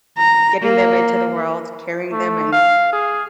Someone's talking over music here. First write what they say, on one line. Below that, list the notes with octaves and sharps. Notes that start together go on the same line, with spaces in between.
getting them into the world, carrying them and
A#5
A#3
A3
F5
G#4